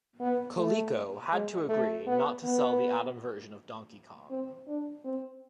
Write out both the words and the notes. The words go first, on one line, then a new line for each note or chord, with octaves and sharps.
Coleco had to agree not to sell the Adam version of "Donkey Kong".
B3
A3
G#3
A3
B3
B3
C4
D4
C4